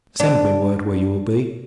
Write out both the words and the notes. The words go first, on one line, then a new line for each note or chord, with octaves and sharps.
Send me word where you will be.
B3 D4